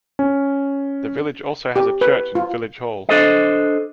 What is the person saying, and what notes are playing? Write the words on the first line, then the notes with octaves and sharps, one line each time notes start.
The village also has a Church and Village Hall.
C#4
G4
B4
F4
D4 A4 C5 D#5